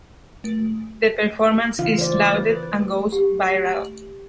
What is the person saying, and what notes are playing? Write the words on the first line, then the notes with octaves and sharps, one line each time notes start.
The performance is lauded and goes viral.
C#3 E3 F4 F5
C5 D5
B4
G4